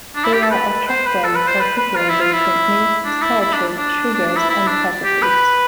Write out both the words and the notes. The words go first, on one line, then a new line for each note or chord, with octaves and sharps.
They are attracted particularly to meats, starches, sugars, and fatty foods.
D4
E4
G4
A4
B4
C5
B4
A4
B4
C5
B4
B4
F4
E4
F4
E4
D4
E4
E4
D4
D4
D4
D4
E4
E4
D4
G4
B4